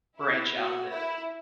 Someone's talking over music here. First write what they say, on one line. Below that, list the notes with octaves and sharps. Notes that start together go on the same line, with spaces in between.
branch out a bit.
E4
F#4
E4